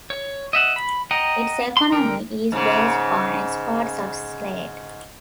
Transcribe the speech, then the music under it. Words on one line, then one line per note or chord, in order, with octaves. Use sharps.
Its economy is based on exports of slate.
C#5
D#5 E5 F#5
B5
D#5 F#5 G5 A#5
C6
D3 A#4 G5
G#2 C#3